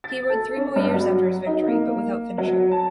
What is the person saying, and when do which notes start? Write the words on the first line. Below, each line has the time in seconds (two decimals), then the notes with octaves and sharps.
He rode three more years after his victory but without finishing.
0.04 A6
0.30 A4
0.57 C#4
0.76 G2
0.94 F#3
1.46 D#4
1.68 A#3
2.38 F#3
2.71 A5